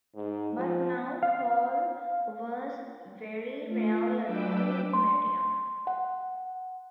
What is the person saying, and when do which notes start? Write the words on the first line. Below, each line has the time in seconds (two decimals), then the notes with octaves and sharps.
But now Paul was very rarely alone with Miriam.
0.15 G#2
0.58 F3
1.23 F5
3.64 A3 F4
4.23 F#3 D4 B4 G5 D6 E6
4.93 C6
5.87 F#5